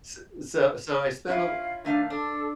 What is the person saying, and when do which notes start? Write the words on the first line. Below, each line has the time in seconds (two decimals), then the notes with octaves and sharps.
s so so I spent a li
1.28 C#4 E4 F4 F5
1.85 D#3 A3 D4 F5
2.10 D4 A4